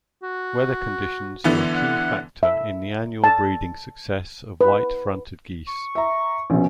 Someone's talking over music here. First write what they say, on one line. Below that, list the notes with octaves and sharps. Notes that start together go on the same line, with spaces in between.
Weather conditions are a key factor in the annual breeding success of white-fronted geese.
F#4
D3 E3 B3
F#5
E5
A5
B4
C#6
E5 A#5
A#1 B2 C#4